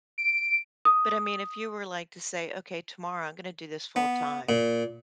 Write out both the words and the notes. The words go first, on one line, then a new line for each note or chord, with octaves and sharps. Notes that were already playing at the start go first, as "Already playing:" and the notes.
but I mean if you were like to say, "Okay, tomorrow I'm gonna do this full time
D7
D#6
B3
A#2